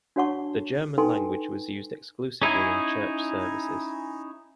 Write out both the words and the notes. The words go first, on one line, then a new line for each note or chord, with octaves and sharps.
The German language was used exclusively in church services.
D4 F#4 C#5 F#5 A5 C#6
D#4 A4 B4 G5 G#5 C6
C#4 D#4 E4 G#4